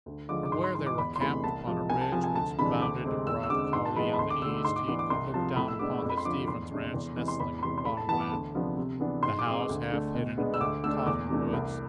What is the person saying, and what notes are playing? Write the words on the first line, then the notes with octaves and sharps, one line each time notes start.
From where they were camped upon a ridge which bounded a broad coulee on the east, he could look down upon the Stevens ranch nestling in the bottomland, the house half hidden among the cottonwoods.
D2
D3 F3 G#3 D6
D6
G#2 C6
C6
E3 G#3 C6
D6
E2 B5
C6
C3 E3 A3 B5
C2 A5
C3 F3 G#3
C2 G#5
A5
C3 F3 G#5
G#5
D2 A5
C3 E3 G#3 D4 B5
D2 D6
C3 G#3 C4
E2 E6
E6
D3 G#3 C4 D6
G#2 C6
A5
E3 G#3 B3 B5
B5
D2 C6
D6
D3 A3 E6
G#2 C6
D6
E3 B3 D4 D6
D6
C2 C6
C3 F3 A5
A2 B5
E6
G#3 B3 D4 D6
F2
B5
C6
D3 F3 D6
E2 C6
C3 G#3 D4
E2
C3 E3 G#3
C6
E2 B5
B5
C3 E3 C6
C6
A2 B5
A5
E3 B3 A5
D6
D2
C3 F3 B3 D4
C3
E3 B3 D4
G#2 C6
D6
G#3 C4
D2
D3 A3 D4
B2
G#3 B3 D4
E6
D2 D6
D3 A3 D4 E6
E2 D6
C3 E3 A3 D4
C2